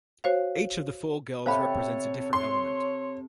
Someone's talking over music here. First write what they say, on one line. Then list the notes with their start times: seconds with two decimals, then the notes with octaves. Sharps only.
Each of the four girls represents a different element.
0.24 F#4 C5 C#5 F5
1.46 C3 A4 C5 C#5 F5 B5
2.33 C#5 C6